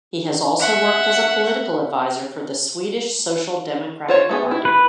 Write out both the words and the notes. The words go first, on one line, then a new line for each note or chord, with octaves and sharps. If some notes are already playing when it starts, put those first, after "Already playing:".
He has also worked as a political advisor for the Swedish Social Democratic Party.
E5 F#5
F4 C5 C#5
A3 B3 G#4
E4
B4